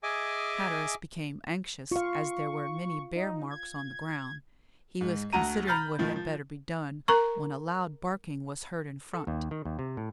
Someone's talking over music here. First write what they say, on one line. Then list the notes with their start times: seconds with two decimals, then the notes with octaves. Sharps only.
Hatteras became anxious, as there were many bear-marks on the ground; he was considering what had better be done, when a loud barking was heard in front.
0.03 G#4 D#5 E5 G#5 D6
1.91 F4 F5 C#6
3.16 D#4
3.50 G#6
5.01 G#2
5.33 D2 F#4 A#5 D#7
5.67 A#5 B5 F6 G6 A6
5.99 A2 D#3 F3
6.16 F3
7.08 A#4 A#5 C#6
9.14 A4
9.27 D#2
9.51 D#3
9.65 D#2
9.79 C3
9.97 A2